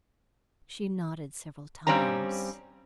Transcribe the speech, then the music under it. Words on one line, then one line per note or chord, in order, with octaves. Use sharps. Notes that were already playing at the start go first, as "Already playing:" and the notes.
She nodded several times.
G2 G3 C4 C#4 A#5